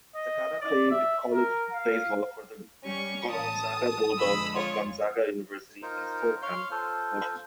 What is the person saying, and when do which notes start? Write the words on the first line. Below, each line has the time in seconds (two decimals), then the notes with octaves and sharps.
Sakata played college baseball for the Gonzaga Bulldogs of Gonzaga University in Spokane, Washington.
0.15 D#5
0.61 D5
0.91 E5
1.33 A#4
1.73 F5
2.84 G3 C#4 C#6
3.31 A1 A5 D#6
4.18 F2 D3 G#3 B5 E6
4.55 F4 C#5
5.82 D#4 F4 A#4 C5
6.42 C#5 F5 C6
6.71 F4 A4 C5